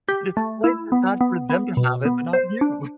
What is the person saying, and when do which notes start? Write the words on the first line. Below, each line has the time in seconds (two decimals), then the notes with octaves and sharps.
d why is it bad for them to have it, but not you?
0.09 G4
0.37 A3
0.64 E4
0.92 B3
1.21 B3
1.49 B3
1.77 B2
2.05 B3
2.33 C5
2.61 D4